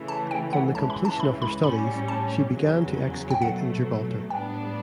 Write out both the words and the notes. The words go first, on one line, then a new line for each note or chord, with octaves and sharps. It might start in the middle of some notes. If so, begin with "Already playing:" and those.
On the completion of her studies, she began to excavate in Gibraltar.
Already playing: C#3 E3 A3
A5
G5
F#5
C#2 C#3 E3 A5
B5
A5
B5
B5
A2 G3 C#4 B5
A5
E2 C#3 F#3
G5
B2 F#3 A3 F#5
A2 G3 B3 D4 G5